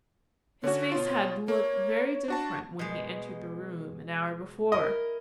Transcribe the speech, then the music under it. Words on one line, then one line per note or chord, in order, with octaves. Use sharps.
His face had looked very different when he entered the room an hour before.
D3 C#4 F#4 C#5
B2 F4 C#5
A#3 C#5
D4 F#4 A5
B2 G#3
E4 A#4 D#5